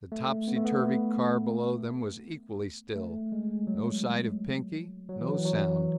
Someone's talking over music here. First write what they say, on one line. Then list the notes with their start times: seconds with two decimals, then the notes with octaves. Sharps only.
The topsy-turvy car below them was equally still; no sight of Pinky, no sound.
0.12 A3
0.48 B3
0.56 A3
0.65 B3
2.96 A3
3.32 G#3
3.67 F#3
5.09 F#3
5.21 E3
5.28 F#3
5.45 F#3